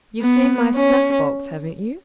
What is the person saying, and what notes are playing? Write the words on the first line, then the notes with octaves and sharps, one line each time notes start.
You've seen my snuff-box, haven't you?
B3
C#4